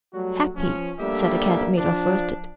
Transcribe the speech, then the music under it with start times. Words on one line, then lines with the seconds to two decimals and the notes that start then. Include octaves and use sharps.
"Happy!" said the Cat-made-of-worsted.
0.13 F#3 G3 A3 F#4
0.56 F3 C#4
0.99 G3 A3 A#3 D4 G4 E5
1.77 F3 D4